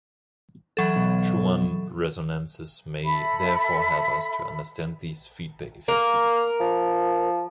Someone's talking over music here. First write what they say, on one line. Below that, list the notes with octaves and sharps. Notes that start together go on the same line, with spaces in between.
Schumann resonances may therefore help us to understand these feedback effects.
E3 F#3 A4
B1
A4 E5 B5
A#3 A#4
F3